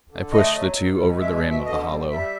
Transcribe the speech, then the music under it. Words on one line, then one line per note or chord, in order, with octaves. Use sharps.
I pushed the two over the rim of the hollow.
D3
A3 D#5
F#3
B2
G#3
B2 E5
E5
B2
E5
D3 D#5
G3
G3 E5